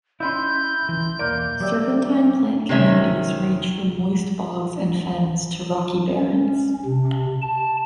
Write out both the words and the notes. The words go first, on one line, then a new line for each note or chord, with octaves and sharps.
Serpentine plant communities range from moist bogs and fens to rocky barrens.
C#4 D#4 E4 E5 B5 C6 G6
E3
B1 E2 A#3 D5
F#3 G4 D5 E5
C3 D#3 C#4 E5
C#4
C3
A5